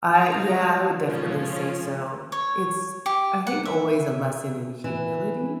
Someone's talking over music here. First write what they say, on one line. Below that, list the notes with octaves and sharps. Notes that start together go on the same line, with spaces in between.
Uh, yeah, I would definitely say so. It's, I think, always a lesson in humility,
F3 G#3 D#4 F5 A#5
F3 G#3 C#4 F4
C#5
G4
F#5
E5
E3